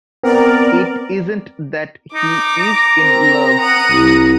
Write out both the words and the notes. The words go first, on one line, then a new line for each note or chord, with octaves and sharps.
It isn't that he is in love.
B3 C4 A#4 D5
D#4 D6
A#5
C4 A#4
F#5 D#6
C2